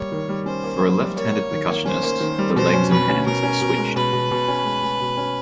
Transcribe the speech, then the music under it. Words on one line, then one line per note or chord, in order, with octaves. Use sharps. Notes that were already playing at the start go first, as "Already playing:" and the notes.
For a left-handed percussionist, the legs and hands are switched.
Already playing: G3 A#3 C#5
D#3
G3
C#4 C5
A#3
A#3
G3
A#3 C#5
A#3
D#3
A#3
C#4 C5
A#3
D#3
G3
B2 C5
C#4
B2 B4
C#4
B2 A#4
C#4
B2
G#3
B2 B4
B2
B2
C#4
G#3
G#3
B2
C#4